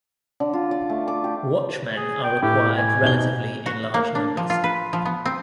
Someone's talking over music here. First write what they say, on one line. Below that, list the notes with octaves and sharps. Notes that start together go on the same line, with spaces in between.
Watchmen are required relatively in larger numbers.
D3
F4
D5
A3
D6
G4
G#4
G5
A2 G4
G#5
B2 D#4 G7
F#4
A#3
D4
F3
F4
B4
F3
B3
C4